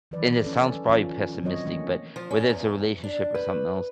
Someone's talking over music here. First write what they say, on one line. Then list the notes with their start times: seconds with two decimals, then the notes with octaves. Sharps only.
and it sounds probably pessimistic, but, whether it's a relationship or something else,
0.11 D#3 E3 F#3 B4 D5
0.43 C#4 A4 D5
0.89 E3 C#4 F4
1.43 D#3 F#3 C4 C#5 D#5
1.66 D#3 E3 A3 A#3 C#4
2.16 F3
2.31 C#4
2.50 E2
3.04 D4
3.35 B4